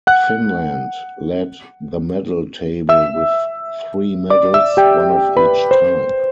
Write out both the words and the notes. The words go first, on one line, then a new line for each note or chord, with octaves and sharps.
Finland led the medal table with three medals, one of each type.
F#5 F#6
E5 E6
D5 D6
E5 E6
G4 G5
B4 B5
C5